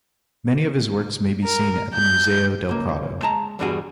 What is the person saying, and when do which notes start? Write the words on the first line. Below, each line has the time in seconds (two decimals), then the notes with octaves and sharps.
Many of his works may be seen at the Museo del Prado.
1.45 A#4
1.94 G6
2.69 C#2 A#3
3.22 G#3 A5 A#5
3.59 E2 G2 B2 G3 F#4 G#4